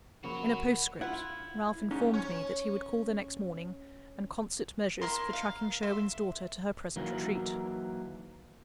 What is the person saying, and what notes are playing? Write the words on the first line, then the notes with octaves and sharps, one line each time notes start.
In a postscript, Ralph informed me that he would call the next morning, and concert measures for tracking Sherwin's daughter to her present retreat.
C#3 F3 A#3 F#4 A#4 C#5 F#5 B5
E4 F4 F#5
G#2 C#4
C#4 C#5
E4 A#4 C6
F5
E5 C6
D#3 E3 F#3 A#3